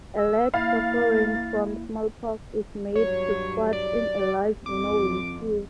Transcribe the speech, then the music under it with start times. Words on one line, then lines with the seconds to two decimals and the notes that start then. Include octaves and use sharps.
A lad suffering from smallpox is made to squat in a large winnowing sieve.
0.17 E6
0.54 A#3 E4 F5 A6
2.95 G2 F#3 C#5
3.73 D5
4.66 F2 F3 D6